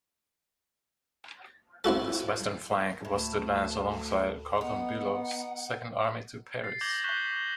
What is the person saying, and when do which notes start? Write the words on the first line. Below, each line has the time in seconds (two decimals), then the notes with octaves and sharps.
This western flank was to advance alongside Karl von Bülow's Second Army to Paris.
1.84 C4 E4 F#4 A4
3.05 D2 A2 A5
4.61 B3 D#4 F#5
6.62 A6 C7
6.81 D6 G6 G#6 A#6 F#7 G7
7.04 C#6 F#6 G6 B6 E7 G7